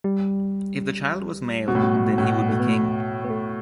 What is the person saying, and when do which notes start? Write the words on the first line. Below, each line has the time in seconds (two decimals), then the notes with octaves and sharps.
If the child was male, then he would be king.
0.04 G3
1.68 B2
1.75 A2
1.83 B2
1.95 A2
2.18 A2
2.22 B2
2.49 B2 A3
2.60 B3
2.69 A3
3.24 B3
3.30 A3